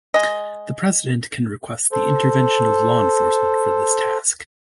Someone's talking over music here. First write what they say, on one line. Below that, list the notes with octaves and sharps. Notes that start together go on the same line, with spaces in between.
The president can request the intervention of law enforcement for this task.
G#3 D#5
A4 C5